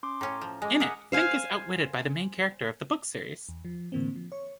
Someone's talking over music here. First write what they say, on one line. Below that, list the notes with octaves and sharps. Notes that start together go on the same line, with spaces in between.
In it, Fink is outwitted by the main character of the book series.
C#4 C6 D6
A2 C#4 A#5
F3
G#3 G#5 D6
A#4 E5 F#5 D#6
C5 F5 G#5
E2
F3
A2 D3 E3 A#3 C4
F3
C#5 C#6